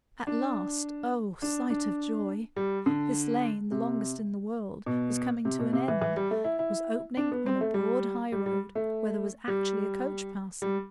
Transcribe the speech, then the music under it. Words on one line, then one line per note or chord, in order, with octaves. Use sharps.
At last--oh, sight of joy!--this lane, the longest in the world, was coming to an end, was opening on a broad highroad, where there was actually a coach passing!
D4
D4
D4
G3
D3
C3
B2
C3
B2
C3
E3
E3
G3
A3
E4
E4
D4
B3
C4
A3
G3
G3
G3
A3
G3
G3